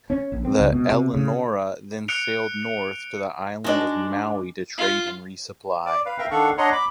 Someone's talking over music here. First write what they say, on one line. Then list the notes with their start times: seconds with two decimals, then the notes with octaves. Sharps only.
The "Eleanora" then sailed north to the island of Maui to trade and resupply.
0.10 C#4
0.32 A#1
0.45 C4
0.59 C#2
0.72 B2
0.89 C3
1.14 C#3
2.08 F#6 C#7 D7 F7
3.64 G#3 D4 F#4 D#5
4.78 F4
5.86 D5
6.06 B4 F5
6.18 A#4 E5 F5 G5
6.31 D#3 D4 A4 F5 F#5 C#6
6.58 D4 C#5 D#5 F#5 A#5 C6
6.72 B5 D6